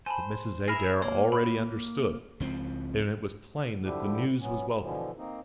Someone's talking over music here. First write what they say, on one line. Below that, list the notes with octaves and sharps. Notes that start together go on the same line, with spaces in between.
But Mrs. Adair already understood; and it was plain that the news was welcome.
C5 G#5 A5 B5
G#4 A#4 E5 B5 F6 A#6
A#3 C#5
B5
C#2 F3 C4
D3 F3 G3 D4 E4 G4
F#3 B3 C#4
B2 D3 E3 F3
A#3 C4 D#4